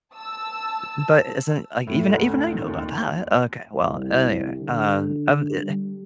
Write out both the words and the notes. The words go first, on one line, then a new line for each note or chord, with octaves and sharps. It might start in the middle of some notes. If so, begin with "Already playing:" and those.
But isn't like even even I know about that okay, well, anyway, um um i eh
A5 E6
A2
D2
D#3
D#2
C2
D3
G3